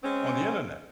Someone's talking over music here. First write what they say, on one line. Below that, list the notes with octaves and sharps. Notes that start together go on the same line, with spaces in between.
on the Internet."
G#3 C4 C#4